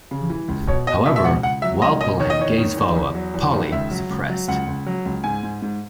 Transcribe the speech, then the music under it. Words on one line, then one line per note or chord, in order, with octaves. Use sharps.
However, Walpole had Gay's follow up, "Polly", suppressed.
C#3
E3
C#2
B2 C#5
B2 D#5
B2 E5
E5
C#2 F#5
C#2 F#5
F#3 E5
C#2 D#5
B2 D#5
D#3 C#5
D#5
E2 C#5
D#3
E2
E2
F#3
E2
D#3
C#2 E5
F#3
C#2
F#3
C#2 F#5
C#2
F#3
C#2
G#2 G#5
G#2
G#2